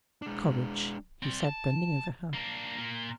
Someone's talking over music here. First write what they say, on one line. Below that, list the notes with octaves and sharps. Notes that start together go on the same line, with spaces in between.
"Courage!" he said, bending over her.
G#3 D4
C4 D5
A5
A#3 D4
A#2 A#3